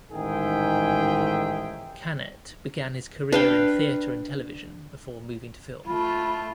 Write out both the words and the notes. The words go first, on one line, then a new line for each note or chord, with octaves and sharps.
Canet began his career in theatre and television before moving to film.
A1 G#2 D#3 G#4 E5 G5
D4 B4 F5 G5
A3 F4 B5